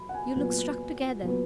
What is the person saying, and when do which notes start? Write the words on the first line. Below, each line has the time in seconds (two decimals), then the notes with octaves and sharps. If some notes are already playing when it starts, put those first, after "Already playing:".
You look struck together.
Already playing: F#3 B5
0.09 F#5
0.14 G#5
0.36 A#2 F#3 B3
1.22 A#2 F#3 B3